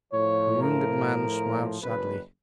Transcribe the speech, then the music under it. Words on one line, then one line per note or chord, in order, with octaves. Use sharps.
The wounded man smiled sadly.
A2 F3 C#5
A#4
F#1 B4